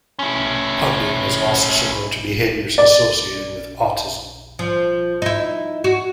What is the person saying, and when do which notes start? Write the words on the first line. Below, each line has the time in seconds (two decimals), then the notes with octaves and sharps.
Punding is also similar to behaviors associated with autism.
0.19 C#4 E4
2.78 D5
4.59 F3
5.22 D#4 E4
5.84 F#4